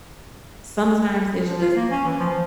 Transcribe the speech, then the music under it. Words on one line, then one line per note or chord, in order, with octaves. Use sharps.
sometimes it's just
F3
F4
A#3
C#4
E3
F3
F3